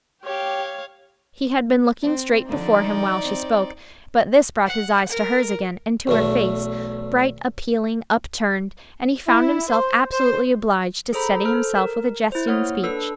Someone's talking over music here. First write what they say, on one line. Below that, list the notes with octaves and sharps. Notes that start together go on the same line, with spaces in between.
He had been looking straight before him while she spoke, but this brought his eyes to hers again, and to her face--bright, appealing, upturned--and he found himself absolutely obliged to steady himself with a jesting speech.
G4 C#5 F5
C4
D3 F3 D#4 D5
C4
F#5
A#4
B1 E2 A3
E4
C5
C5
G#4 A4 C5 A#5 B5
A4 C5 F6
A#4
E4 C5
A#3 C#5 F#5 F6
D4 A4 B4 E6